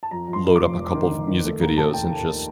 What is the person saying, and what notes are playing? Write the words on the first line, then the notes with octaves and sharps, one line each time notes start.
load up a couple of music videos and just
A5
F2 A#5
F2
C6
F2
D6
F1
F1
D#3
D#3
D#3
A3
D#2 A#5
D#2 A5
A3 G5
A3